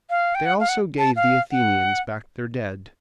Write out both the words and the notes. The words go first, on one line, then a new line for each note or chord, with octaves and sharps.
They also gave the Athenians back their dead.
F5
G5
F#5
F5
F#5
A5
F5
F#5